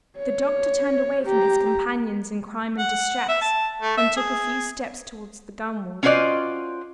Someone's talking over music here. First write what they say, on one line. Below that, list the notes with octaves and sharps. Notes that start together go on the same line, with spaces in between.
The doctor turned away from his companions in crime and distress, and took a few steps towards the gunwale.
C#5
G4 A#5
F#5
E5
A5
A3
E5
G#4
C#4 F4 F#4 C5 D5 D#5